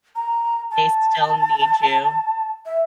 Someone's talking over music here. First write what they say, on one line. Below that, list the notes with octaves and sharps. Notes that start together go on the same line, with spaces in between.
They still need you.
A#5
A5
E5